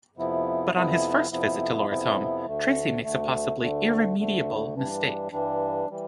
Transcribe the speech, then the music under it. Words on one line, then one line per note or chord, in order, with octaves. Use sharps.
But on his first visit to Laura's home, Tracy makes a possibly irremediable mistake.
F2 C3 F3 B3 E4
F2 C3 F3 B3 E4
F2 C3 F3 B3 E4
F2 C3 F3 B3 E4
D2 D3 A3
D2 D3 A3
D2 D3 A3
D2 D3 A3
G2 E3 G3 D4
G2 E3 G3 D4
E3 G3